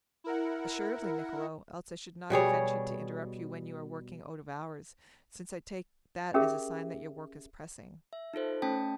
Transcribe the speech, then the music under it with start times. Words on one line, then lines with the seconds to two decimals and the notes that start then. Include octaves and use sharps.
"Assuredly, Niccolo; else I should not have ventured to interrupt you when you are working out of hours, since I take that as a sign that your work is pressing."
0.24 E4 A#4 F#5
2.30 B2 G3 G#4 C#5
6.34 C#4 G4 G#4 A#4 E5
8.13 E5
8.34 D#4 F4 A4 C5
8.62 A3 C#4 G5 A5